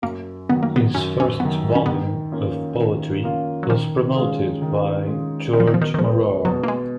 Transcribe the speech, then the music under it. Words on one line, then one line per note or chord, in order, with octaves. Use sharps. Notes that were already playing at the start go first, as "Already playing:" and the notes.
His first own volume of poetry was promoted by Georg Maurer.
F#2 A#3
D#3 F#3 B3
A#3
B3
F#2 C#4
C#4
D#3 F#3 B3
C#4
D#3 B3
A#3 C#4 F4
D#3
A#3 C#4 F4
F#3
D#3 F3
G#3 C#4 F4 G#4
D#3
G#3 C#4 F4 G#4
B2 D#3
F3
D#3
F3
D#3
D#3
F3 G#3 B3
B2 F#3
A#3
G#3